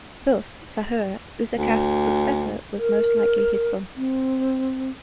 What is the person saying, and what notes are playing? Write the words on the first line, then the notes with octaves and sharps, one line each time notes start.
Thus, Sahure, Userkaf's successor was most likely his son.
D2
A#4
C4